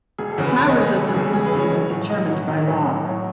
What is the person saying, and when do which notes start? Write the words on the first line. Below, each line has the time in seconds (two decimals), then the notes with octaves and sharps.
The powers of the ministers are determined by law.
0.18 E1 G#4
0.31 A4
0.38 E2 C#3
0.44 B4
0.57 E1 C#5
0.69 D#5
0.75 E2 C#3
0.83 B4
0.95 E1 A4
1.07 G#4
1.14 E2 C#3
1.20 A4
1.33 E1 G#4
1.46 B4
1.53 E2 C#3
1.59 C#5
1.71 B1
1.91 A2 F#3
2.09 B1 D#5
2.28 A2 F#3
2.48 B1
2.66 A2 F#3
2.86 B1
3.05 A2 F#3